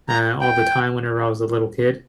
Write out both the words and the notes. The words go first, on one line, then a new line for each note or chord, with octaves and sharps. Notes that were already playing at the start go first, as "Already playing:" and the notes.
uh, all the time whenever I was a little kid,
A#5
G5